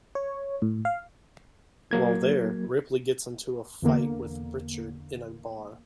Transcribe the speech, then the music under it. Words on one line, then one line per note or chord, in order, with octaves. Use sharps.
While there, Ripley gets into a fight with Pritchard in a bar.
C#5
A2
F5
F#3 A#3 G#6
E2 D3 A#3